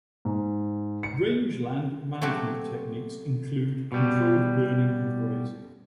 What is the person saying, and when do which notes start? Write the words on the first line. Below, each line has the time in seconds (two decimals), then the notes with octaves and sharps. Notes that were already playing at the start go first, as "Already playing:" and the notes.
Rangeland management techniques include controlled burning and grazing.
0.25 G#2
1.03 C#7
2.22 F#3 A3 C4 F#4 G4
3.92 B2 G3